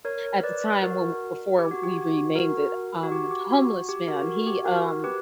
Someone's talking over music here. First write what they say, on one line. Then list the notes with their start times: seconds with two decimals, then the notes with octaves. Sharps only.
at the time when before we renamed it, um, homeless man he, um
0.05 A#4 C#5
0.43 B4 D5
0.82 F#4 A#4
1.58 G4
1.71 F#4
1.83 G4
1.97 F#4
2.35 F#4 A#4
3.03 F#4
3.12 G4
3.31 G4
3.51 F#4
3.89 G4
4.08 F#4 A#4
4.27 F#4
4.47 G4
4.65 F#4 A#4
5.04 G4 B4